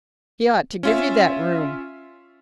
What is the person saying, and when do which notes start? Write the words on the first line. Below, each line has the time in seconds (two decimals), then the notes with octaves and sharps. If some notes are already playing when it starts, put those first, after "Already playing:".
He ought to give you that room.
0.83 C#4 F4 E5